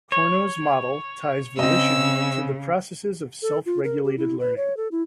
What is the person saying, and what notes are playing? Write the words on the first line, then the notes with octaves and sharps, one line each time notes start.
Corno's model ties volition to the processes of self-regulated learning.
C#5
C#3 C4 D#5 E6
A4
F4
A#4
G4
E4
B4
C#5
A4
E4